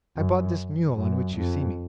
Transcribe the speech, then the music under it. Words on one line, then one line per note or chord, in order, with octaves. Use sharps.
'I bought this mule on which you see me.'
F#2
F#2
F2